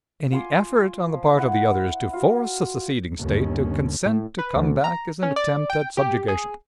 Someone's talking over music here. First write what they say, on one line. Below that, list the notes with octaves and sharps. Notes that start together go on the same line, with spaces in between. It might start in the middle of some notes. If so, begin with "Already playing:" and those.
Any effort on the part of the others to force the seceding State to consent to come back is an attempt at subjugation.
F4 G#5 C6 D6
F3
E4 F#5
F4 F#4
G1 D#2 D3 C#4
A2
B4
D2
A#5
C#4
D5
G5
G4
G#4